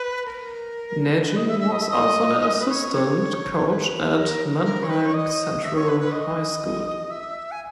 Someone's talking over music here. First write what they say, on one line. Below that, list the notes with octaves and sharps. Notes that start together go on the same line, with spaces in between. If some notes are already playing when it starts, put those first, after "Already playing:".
Nagy was also an assistant coach at Manheim Central High School.
Already playing: B4
A#4
B4
D#5
E5
E5
D#5
E5
D#5
B4
C#5
B4
A#4
A#4
C#5
B4
C#5
D#5
E5
C#5
B4
B4
D#5
E5
G#5